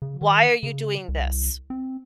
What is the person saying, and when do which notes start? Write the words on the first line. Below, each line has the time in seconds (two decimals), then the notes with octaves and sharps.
why are you doing this?
0.02 C#3
0.21 D#3
0.63 C#3
1.08 C2
1.70 C4